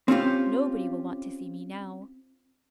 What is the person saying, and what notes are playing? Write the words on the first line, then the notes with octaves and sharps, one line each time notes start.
Nobody will want to see me now.
C4 C#4 F4 G4